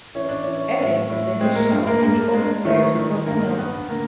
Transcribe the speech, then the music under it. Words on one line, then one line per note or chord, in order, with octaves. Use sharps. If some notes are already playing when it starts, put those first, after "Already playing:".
Evidence of this is shown in the oldest layers of Hassuna.
E3 C#4
D4
E3 C#4
A2
A2
G#3 C4
A#3
G2
A#3
G2 A#3
G#3
D#3 A3
D#3
G2 A#3
G2 B3
D3 A#3